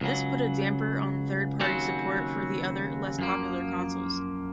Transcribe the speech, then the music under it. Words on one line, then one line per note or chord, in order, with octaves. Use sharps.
This put a damper on third party support for the other, less popular consoles.
C#2 C#3 F#3
D#2 C#3 F#3 C4 F#4
F#2 F3 A#3